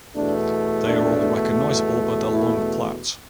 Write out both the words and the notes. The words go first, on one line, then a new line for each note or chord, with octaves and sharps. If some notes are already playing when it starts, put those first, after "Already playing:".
They are all recognizable by their long plaits.
E2 B2 A3 D4
D4
E4